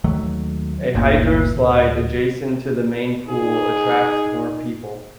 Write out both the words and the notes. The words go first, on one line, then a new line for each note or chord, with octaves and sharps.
A hydroslide adjacent to the main pool attracts more people.
D#2 D#3 F#3 A3
G1 D2 A#2
D1
D#4 G#4